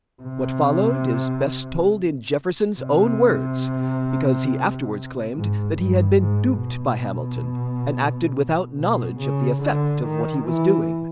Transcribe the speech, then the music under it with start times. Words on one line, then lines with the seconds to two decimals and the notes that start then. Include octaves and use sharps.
What followed is best told in Jefferson's own words, because he afterwards claimed that he had been "duped" by Hamilton and acted without knowledge of the effect of what he was doing.
0.23 C3
2.79 C3
5.35 G#2
5.78 G2
6.21 G#2
6.63 B2
8.77 B2
9.20 C#3
9.63 D3
10.06 D#3
10.48 E3